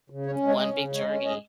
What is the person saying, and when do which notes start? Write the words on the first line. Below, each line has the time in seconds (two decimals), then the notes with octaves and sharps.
one big journey.
0.10 C#3
0.26 C#4 C#5
0.43 G#3
0.48 C#5
0.59 C#4 D#5
0.76 C#3
0.93 G#3 C#5
1.08 C#4
1.25 G#3 D#5